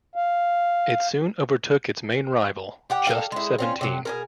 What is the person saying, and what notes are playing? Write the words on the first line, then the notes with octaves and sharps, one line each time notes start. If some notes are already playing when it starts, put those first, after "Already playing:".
It soon overtook its main rival, Just Seventeen.
F5
G4 F#5 G5
A4 A#4 F5
G#3 E4
C4 C#4 F4
C3 F#3
B2 G#4 A#4